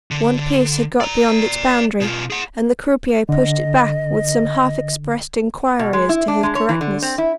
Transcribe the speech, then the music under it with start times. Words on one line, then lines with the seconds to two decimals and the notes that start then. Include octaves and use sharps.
One piece had got beyond its boundary, and the croupier pushed it back with some half-expressed inquiry as to his correctness.
0.11 D3
1.00 D5 A#5
2.01 B2 F4
2.30 G#4 F#5
3.29 D3 D#5
5.79 B2
5.93 G#3
6.09 E4
6.28 D4
6.43 G#3
6.55 C#5
6.69 E3
6.81 D3
7.02 C4
7.18 E4